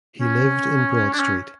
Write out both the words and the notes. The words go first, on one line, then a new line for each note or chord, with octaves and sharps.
He lived in Broad Street.
C#4
D4
C#4